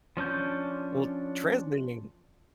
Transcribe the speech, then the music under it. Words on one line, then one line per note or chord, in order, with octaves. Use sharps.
Well, translating
F3 C#4 D4 G6